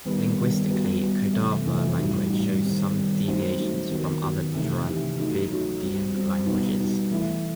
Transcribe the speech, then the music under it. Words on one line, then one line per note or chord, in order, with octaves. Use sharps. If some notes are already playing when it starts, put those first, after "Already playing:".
Linguistically, Kodava language shows some deviations from other Dravidian languages.
D#3 G3 B3
D#3 G3 B3
G3 B3 F#4
G3 B3 F#4
C3 E3 A3
C3 E3 A3
A2 G3 D#4 F#4
A2 G3 D#4 F#4
D#3 G3 C4
D#3 G3 C4
F#3 A3 C4 D#4 F#4
F#3 A3 C4 D#4 F#4
D#3 F#3 B3 F#4
D#3 F#3 B3 F#4
C3 E3 A3 D#4 G4
C3 E3 A3 D#4 G4
F#3 A3 D#4 F#4
F#3 A3 D#4 F#4
G3 C4 F#4
G3 C4 F#4
B2 G3 B3 D#4 F#4
B2 G3 B3 D#4 F#4
E3 A3 E4